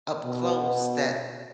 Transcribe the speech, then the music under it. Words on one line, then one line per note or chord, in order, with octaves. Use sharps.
up close that
B2